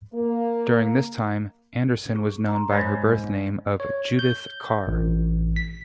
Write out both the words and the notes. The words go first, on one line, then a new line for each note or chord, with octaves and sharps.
During this time, Anderson was known by her birth name of Judith Carr.
A#3
G#4 C#6
A#5 C6
G#2 C5 C#5 B5
C#5
G6
A1
B6